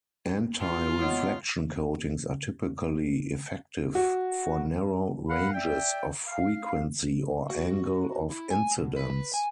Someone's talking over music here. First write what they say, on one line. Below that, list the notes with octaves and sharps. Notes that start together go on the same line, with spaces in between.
Antireflection coatings are typically effective for narrow ranges of frequency or angle of incidence.
F4
F#3 G#3 B3
F#4
A#4 F5 F#5 B5
D5 E5 G5
F5
F#4
E4
G#5
B2
B4
G#5